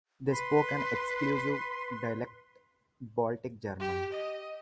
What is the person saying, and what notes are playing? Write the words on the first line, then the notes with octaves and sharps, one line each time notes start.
They spoke an exclusive dialect, Baltic German.
B4 C6
G4
D#5